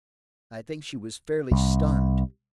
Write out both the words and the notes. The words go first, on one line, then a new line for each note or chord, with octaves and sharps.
I think she was fairly stunned.
C2